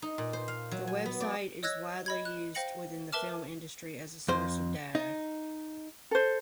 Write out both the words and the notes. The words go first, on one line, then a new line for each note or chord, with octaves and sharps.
The website is widely used within the film industry as a source of data.
D#4
A#2
C5
F5
F#3
G#5
B3
D5
C#5 D#5 E6 F#6 G#6 A#6
D#5 B5 G#6
F#6
C5 F5 G5 A#6 C#7 F#7
A#4 B4 E5 A5 D6 F6
F2 C5
D#4
A4 C5